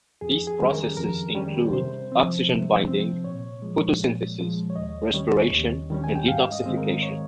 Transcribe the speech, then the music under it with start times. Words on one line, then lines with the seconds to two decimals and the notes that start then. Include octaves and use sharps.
These processes include oxygen binding, photosynthesis, respiration, and detoxification.
0.21 F2 G#4
0.47 G#4
0.60 D#3 G3 C#4
0.73 A#4
0.97 F2 A#4
1.35 D#3 G3 C#4
1.73 C3 C5
2.12 F3 C4
2.49 C3
2.87 F3 C4
3.24 A#2 C#5
3.62 F3 G#3
4.00 A#2
4.39 F3 G#3
4.70 C#5
4.76 D#2 D#5
5.13 D#3 G3 C#4 C#5
5.51 D#2
5.90 D#3 G3 C#4
6.04 G#5
6.15 G5
6.27 G#2 F5
6.52 D#5
6.66 D#3 G#3 C4
6.77 A#4
7.03 C#5